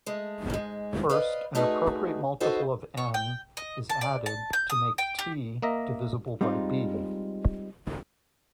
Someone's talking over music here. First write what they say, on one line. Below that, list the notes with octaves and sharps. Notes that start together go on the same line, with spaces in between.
First an appropriate multiple of "N" is added to make "T" divisible by "B".
G#3 A3
G#2 G#3
B4 C5 D5 D#5 F5
A3 D#4 F#4 G#4 B4 D5
D#4 F#4 A4 B4 C5 D#5
C#5
G5
D#5
A5
D5
A5
G6
D#6
G5
G4
A#3 A#4 D#5 E5 A#5
G3 G#3 C4 D#4 F4